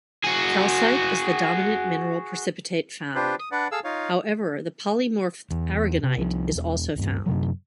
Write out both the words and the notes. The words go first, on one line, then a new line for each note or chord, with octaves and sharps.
Calcite is the dominant mineral precipitate found; however, the polymorph aragonite is also found.
F#4 G#4
D4 F4 G4 B4 C5
D#6
D4 B4 D5 F#5
G#4 A4 F5 E6
D#4 F4 C#5 F5
E2
C3
C2 E3 F3
E1
D1 G2
F#2 C3 F#3